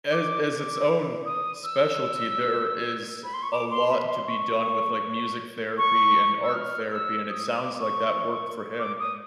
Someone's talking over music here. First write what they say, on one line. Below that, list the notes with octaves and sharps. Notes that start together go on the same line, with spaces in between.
as as its own specialty, there is a lot to be done with, like, music therapy and art therapy, and it sounds, like, that worked for him.
D6
D6
D#6
E6
B5
C6
C#6
D6
C6
B5
C6
C#6
C#6
E6
F6
E6
D#6
D6
C#6
D6
D#6